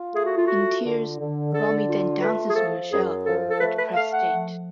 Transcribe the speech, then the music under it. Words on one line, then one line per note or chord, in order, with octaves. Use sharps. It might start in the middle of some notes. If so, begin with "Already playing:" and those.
In tears, Romy then dances with Michele in a depressed state.
Already playing: F4
A3 G#4
F#4
F4
F4 F#4
D3
D3
D3 A4
F4
A3 B4
G#4
F3 A4
F#2 G#4
F3 A4
A4
A3 B4
B4
A3 F5
F#5
F3